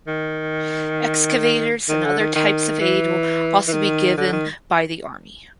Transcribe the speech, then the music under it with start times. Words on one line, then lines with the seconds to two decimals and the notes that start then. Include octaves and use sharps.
Excavators and other types of aid will be also given by the army.
0.07 D#3
1.89 D#3
2.05 D3
2.20 D#3
2.35 D#3
2.81 E3
3.68 E3
3.72 D#3
4.18 D3
4.32 D#3